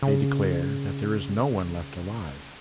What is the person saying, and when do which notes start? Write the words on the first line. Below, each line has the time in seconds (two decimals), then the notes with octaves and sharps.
They declare that there is no one left alive.
0.03 C#3